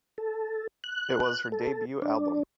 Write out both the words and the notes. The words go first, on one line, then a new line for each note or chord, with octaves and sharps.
It was her debut album.
A4
F#6
A4
D4